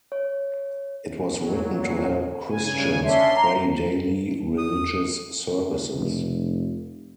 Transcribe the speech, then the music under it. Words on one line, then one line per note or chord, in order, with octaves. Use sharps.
It was written to help Christians pray daily religious services.
C#5
A#2 F#3
G2 C#3 G#5
C#4 D4 E5 C6
A#5
D#6
F1